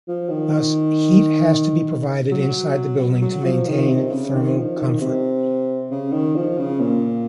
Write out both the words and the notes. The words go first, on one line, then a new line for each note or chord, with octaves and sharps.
Thus heat has to be provided inside the building to maintain thermal comfort.
F3
D#3
F#3
F#3
F3
D#3
C3
C#3
D#3
F3
D#3
C3
C#3
D#3
F3
C#3
A#2